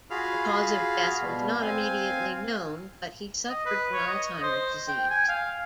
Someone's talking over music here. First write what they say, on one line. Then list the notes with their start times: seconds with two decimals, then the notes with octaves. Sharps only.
The cause of death was not immediately known but he suffered from Alzheimers' disease.
0.11 F4 F#4 G#4 F5 B5 F6
1.22 B2 G3 B3
1.62 C4 F5 G#5
3.49 D#5
3.66 B4
3.93 C#5
4.08 D#5
4.43 C5
4.88 G5
5.10 G#5
5.29 F5